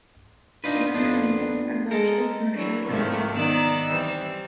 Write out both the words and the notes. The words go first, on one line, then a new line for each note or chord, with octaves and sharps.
The numbered units are largely commercially unavailable.
D4 D#4 F4 B4
F2 B3 D4 F4
G#3 A4 A#4
E3 F#3 D4
G#2 C3 D#3 F3 A3
D#3 B3 D#4 D5 E6 F#6
E3 G3 C4